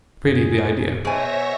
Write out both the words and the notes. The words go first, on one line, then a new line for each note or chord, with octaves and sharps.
Pretty, the idea!
F#2 G#4
B2 G#4 C5 C#5 E5 G#5 A#6